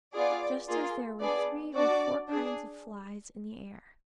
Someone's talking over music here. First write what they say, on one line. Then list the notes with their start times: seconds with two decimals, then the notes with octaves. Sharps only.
Just as there were three or four kinds of flies in the air.
0.13 B3 F4 G#4 D5
0.67 A#3 F4 G#4
1.21 B3 D4 G#4 D5
1.75 D4 F#4 D5
2.28 D4 G#4